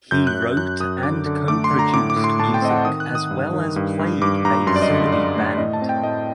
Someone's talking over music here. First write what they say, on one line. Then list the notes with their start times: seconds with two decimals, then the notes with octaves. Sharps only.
He wrote and coproduced music as well as played bass for the band.
0.11 F#2 G6
0.27 F#6
0.34 F#2
0.42 G6
0.57 F#2 F#6
0.80 F#2 D#6
1.03 D3 D6
1.26 D3
1.48 A3 D6
1.64 C6
1.71 D3
1.79 A#5
1.93 A2 D6
2.10 D6
2.16 A2
2.24 C6
2.40 A2 A5
2.54 G5
2.62 C4 D#5
2.70 F#5
2.85 D#3 D#6
3.00 F#6
3.08 D#3
3.15 D#6
3.31 G2
3.53 D#3
3.76 G2
3.99 G2
4.22 G2 D6
4.45 G2 A#5
4.67 F#2 C6
4.76 D5
4.82 D#5
4.89 D3
4.98 D#5
5.12 D3 D5
5.36 A3
5.58 A2 D#5
5.73 A5
5.82 C4
5.89 G5
6.03 A2 D#5